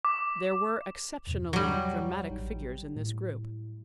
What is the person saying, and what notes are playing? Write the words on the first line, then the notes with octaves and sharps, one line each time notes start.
There were exceptionally dramatic figures in this group.
D6
E2 G2 B2
F#3 G3
A1 D#4 G5
A2 E4